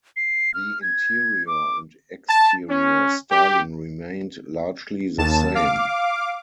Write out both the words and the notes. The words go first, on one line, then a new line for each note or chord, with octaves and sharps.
The interior and exterior styling remained largely the same.
C7
F6
G#6
D6
A5
C#4
G4
D#2 A5 E7
F5 D6